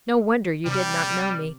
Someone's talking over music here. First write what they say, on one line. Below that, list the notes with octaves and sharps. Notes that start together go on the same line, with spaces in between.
No wonder you did not know me.
C3 G3 D6